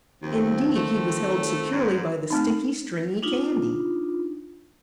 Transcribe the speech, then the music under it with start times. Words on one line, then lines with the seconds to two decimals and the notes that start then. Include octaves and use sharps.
Indeed, he was held securely by the sticky, stringy candy.
0.23 D#2 D#3 F3 C4
0.76 A3
1.72 G#2
2.30 A3 C4 D#4
3.23 D4 D#4 F4